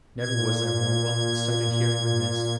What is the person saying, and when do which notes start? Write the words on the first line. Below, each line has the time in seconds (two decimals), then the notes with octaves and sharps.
Never was there more welcome sight and hearing than this.
0.20 A#2 G#6